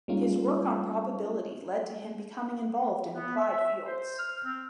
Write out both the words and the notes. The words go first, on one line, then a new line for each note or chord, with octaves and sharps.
His work on probability led to him becoming involved in applied fields.
G3 G#3 A#3 C#4 D#4 F4
B3
E5
C5
F6
C4